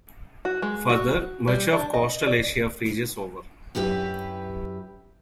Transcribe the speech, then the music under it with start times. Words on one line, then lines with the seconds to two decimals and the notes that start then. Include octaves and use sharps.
Further, much of coastal Asia freezes over.
0.45 F#4
0.62 G#3
0.89 F#4
1.48 G3
1.72 D4
1.94 D#5
2.27 D5
3.75 F#2 E4 G4 B4